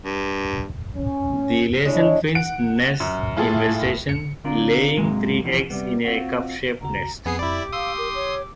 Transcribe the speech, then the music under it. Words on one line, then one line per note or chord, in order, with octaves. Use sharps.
The Laysan finch nests in vegetation, laying three eggs in a cup-shaped nest.
G2
C#4
G#3 D4 E4 C#5
F#5 D7
F#2
A2 E4 F4 G#4 A4
C#7
D3 C4 D4 F4 A#4
G#2 C3 F#3 G#3 A#3
E2 B2 E3 F3 C#4
C3 G3 B3
C4 F4 F#4
D#2 C#3 F#4 A#5
F2 B3 C4 G#4 G#5 C7
E4 G4 D5 B5 D6
F5 C6 D#6 E6
A#4
C#5